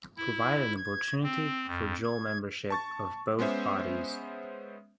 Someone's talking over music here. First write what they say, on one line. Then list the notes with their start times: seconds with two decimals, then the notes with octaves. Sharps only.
Provide an opportunity for dual membership of both bodies.
0.17 E4
0.77 G#6
1.23 C4
1.67 F2
2.04 G#6
2.70 A5 C#6 A6
3.39 G#3 B3 C#4 C5 E5